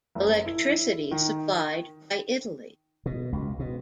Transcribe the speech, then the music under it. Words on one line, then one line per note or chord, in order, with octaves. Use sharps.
Electricity supplied by Italy.
F#1
E4
D#3
B2
C#2
B2